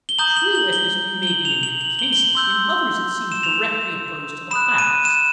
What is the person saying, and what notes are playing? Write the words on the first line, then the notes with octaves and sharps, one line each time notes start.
True as this view may be in many cases, in others it seems directly opposed to the facts.
G7
A#5 D#6 G6 F#7
F#7
F#7
G7
G7
F#7
F7
F#7
F#7
G7
G7
F#7
C6 E6 G6
E7
F7
B5 D#6 F#6 E7
D#7
E7